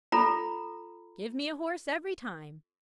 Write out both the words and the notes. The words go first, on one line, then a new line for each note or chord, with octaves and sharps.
Give me a horse every time.
F4 A4 A#5 B5